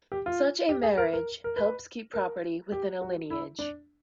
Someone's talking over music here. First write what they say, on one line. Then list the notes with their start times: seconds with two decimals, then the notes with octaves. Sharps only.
Such a marriage helps keep property within a lineage.
0.12 G4
0.26 F4
0.69 G4
0.83 G#4
0.97 A#4
1.13 A#4
1.44 A#4
1.56 B4
2.14 A#4
2.72 G4
3.01 F#4
3.30 E4
3.59 D4